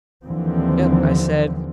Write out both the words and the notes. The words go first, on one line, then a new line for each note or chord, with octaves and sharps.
"Yep," I said.
D#2 D3 E3 F3 C4